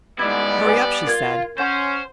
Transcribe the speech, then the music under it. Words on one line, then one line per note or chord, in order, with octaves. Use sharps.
"Hurry up," she said.
G#2 G3 B3 E4 D5 G#6
B4 G#5
F4 A#4 G#6
C#4 C5 F#5 E7